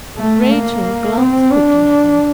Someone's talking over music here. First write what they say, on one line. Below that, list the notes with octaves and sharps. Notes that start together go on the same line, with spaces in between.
Rachel glanced quickly at him.
A3
A#3
C4
D4